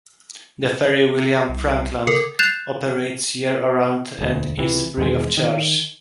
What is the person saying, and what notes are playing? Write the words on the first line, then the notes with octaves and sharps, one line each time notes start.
The ferry "William Frankland" operates year round and is free of charge.
C2
C#3 A4 A#4
F#6 G6 A6 C7 E7 F7
E1 D2
C#2 C3 E3
E2 B2 D#3 G#3
D#3